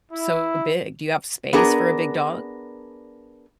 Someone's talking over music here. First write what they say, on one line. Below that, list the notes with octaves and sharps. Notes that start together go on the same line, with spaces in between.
so big? Do you have space for a big dog?
E4
B3 D4 G#4 A#4